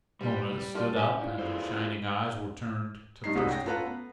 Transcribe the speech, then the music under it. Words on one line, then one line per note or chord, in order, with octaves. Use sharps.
Mona stood up, and her shining eyes were turned to Thurston.
G3 B4 C5
F4 A4 C#5 D5
C#4 G4
D4 E4 F4
G#4 A4 C5
G2 D#4 C7
C2 G#3 D#4 F#4 D#6
C#4 G5 A#6
C#4 F4 A4 B4 F#5 A#5
B3